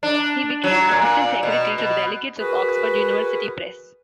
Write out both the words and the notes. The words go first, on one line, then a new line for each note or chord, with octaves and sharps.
He became Assistant Secretary to the Delegates of Oxford University Press.
D4
F#3
A#2
B2
B2
F#4 G#4 A#4 B4